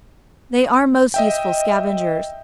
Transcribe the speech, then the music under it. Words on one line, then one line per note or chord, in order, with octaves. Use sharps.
They are most useful scavengers.
D#5 E5 G5